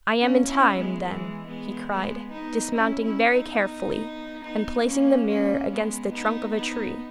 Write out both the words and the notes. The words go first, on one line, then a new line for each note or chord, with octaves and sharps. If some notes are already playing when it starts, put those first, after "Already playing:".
'I am in time, then,' he cried, dismounting very carefully, and placing the mirror against the trunk of a tree.
A#3 C#4
C#4 E4
G#3 B3
E3 G#3
G#3 B3
G#3 B3
B3 D#4
C#4 E4
C#4 E4
B3 D#4
B3 D#4
A#3 C#4
A#3 C#4
G#3 B3
B3 D#4
B3 D#4